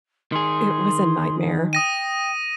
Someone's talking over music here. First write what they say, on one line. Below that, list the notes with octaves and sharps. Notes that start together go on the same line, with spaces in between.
it was a nightmare.
D#3 G#4 C6
G5 D#6 A#6 D#7